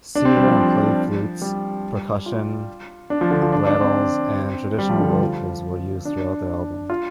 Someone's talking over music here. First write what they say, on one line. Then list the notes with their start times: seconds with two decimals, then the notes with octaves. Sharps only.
Cedar and clay flutes, percussion, rattles, and traditional vocals were used throughout the album.
0.15 D4
0.25 C4
0.37 G3
0.46 F3
0.57 F3
1.42 G3
2.26 F4
3.10 D4
3.21 F3
3.31 D3
3.42 F3
3.52 D4
3.67 D4
3.81 C4
4.78 G3
4.89 F3
5.00 D3
5.10 F3
5.21 F3
6.05 D4
6.90 F4